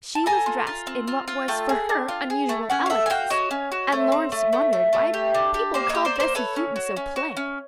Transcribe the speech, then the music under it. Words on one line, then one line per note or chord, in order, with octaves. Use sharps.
She was dressed in what was for her unusual elegance, and Lawrence wondered why people called Bessy Houghton so plain.
A5
A4 G#5 A#5
F4
F4
C4
F4
F4
A3 G5 A5
G#4
D4
F4
G#4
A3
C#4 F#5 G#5
F5
A4 E5 F#5
G#5
F#4 F5 G5
F#4 C#5 D#5
C#4
F#4
A3
C4
A3
A3
A3
A3
G4
D4
G4
A#3 C5 D5
C#5 D#5
G4
C5 D5
A#3 C5 D5
A4 B4 C#5
C#4
F#4
C#4
F#4
C#4